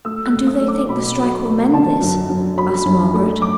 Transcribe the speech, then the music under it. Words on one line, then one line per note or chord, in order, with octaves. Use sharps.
'And do they think the strike will mend this?' asked Margaret.
A3 E6
F#6
A3
E6
A3
D6
B2 B5
F#3
A3
D3 A5
F#2
F#2
F#3 B5
F#2
A3
D6